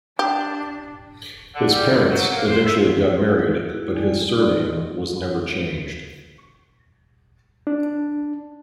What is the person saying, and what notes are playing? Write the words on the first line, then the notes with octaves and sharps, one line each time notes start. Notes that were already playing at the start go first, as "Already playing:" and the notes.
His parents eventually got married but his surname was never changed.
D4 G4
D3
G3
D#3
F#3
A#3
C5
E5
E4 F#4 G#4
G3 G#3 E4 D5
D#4 G4 D5
D#5
D4